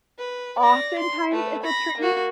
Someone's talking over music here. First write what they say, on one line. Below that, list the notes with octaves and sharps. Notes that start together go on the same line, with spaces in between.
oftentimes, it's a treat,
B4
D5 A#6
C6
A3 B4
B5 A#6
A#3 F#4